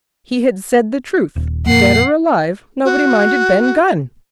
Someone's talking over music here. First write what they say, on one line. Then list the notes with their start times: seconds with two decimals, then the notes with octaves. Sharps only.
He had said the truth: dead or alive, nobody minded Ben Gunn.
1.36 D#1
1.66 F2 A#2 A#3 F#5 C7
2.85 F#4